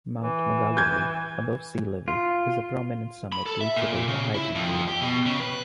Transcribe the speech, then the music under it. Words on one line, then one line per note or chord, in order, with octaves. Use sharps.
Mount Magalloway, above sea level, is a prominent summit reachable by hiking trail.
E3
G6 G#6
F4
B5
A4
E5
A#2
C#3
E4
F2
G4
B2
C#3
B4